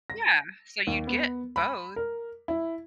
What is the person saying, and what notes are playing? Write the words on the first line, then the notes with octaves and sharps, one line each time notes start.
Yeah, so, you'd get both
A#6
D#2
B3
B5
A#4
E4